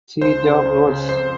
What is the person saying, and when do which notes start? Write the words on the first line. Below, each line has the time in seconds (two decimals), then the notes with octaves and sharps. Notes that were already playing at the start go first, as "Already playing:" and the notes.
Siege of Rhodes.
0.22 C#2 C5
0.44 C#3
0.65 C#2
0.87 C#3
1.09 F2 C5